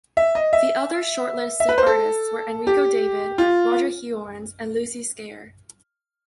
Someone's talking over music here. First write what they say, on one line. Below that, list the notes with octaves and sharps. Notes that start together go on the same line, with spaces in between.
The other shortlisted artists were Enrico David, Roger Hiorns and Lucy Skaer.
E5
D#5
E5
E5
B4
C5
A4
G4
F4